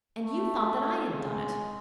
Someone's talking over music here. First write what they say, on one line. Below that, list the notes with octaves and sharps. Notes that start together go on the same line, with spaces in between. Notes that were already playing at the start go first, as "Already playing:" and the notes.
And you thought that I had done it!
A3
G#3